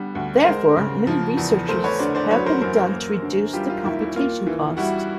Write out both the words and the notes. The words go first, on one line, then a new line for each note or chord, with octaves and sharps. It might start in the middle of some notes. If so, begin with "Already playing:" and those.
Therefore, many researches have been done to reduce the computation cost.
Already playing: D3 G3 B3
D2
G#3 A#4 C5
C#3
F3
E2
A3 A#4 C5
B4 C#5
D3 C5 D5
C5 D5
F#3 B4 C#5
A#4 C5
F#2 A#4 C5
A#4 C5
A#3
D3
G3 F4 G4
F4
D#2 E4
E4
A#3 F4
E3
G3 E4 F#4